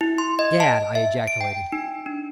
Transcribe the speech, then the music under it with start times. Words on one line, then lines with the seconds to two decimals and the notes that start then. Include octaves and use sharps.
"Gad!" I ejaculated.
0.01 E4
0.18 C6
0.39 D#5
0.60 A5
0.95 E5
1.27 D7
1.41 G5
1.72 D#4
2.06 D4